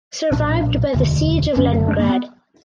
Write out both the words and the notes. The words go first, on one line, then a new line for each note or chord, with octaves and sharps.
Survived by Siege of Leningrad.
B1 A#2 D4
E1 D2 D3
F#1 F#2 D3 C#4
D4
A#3
B3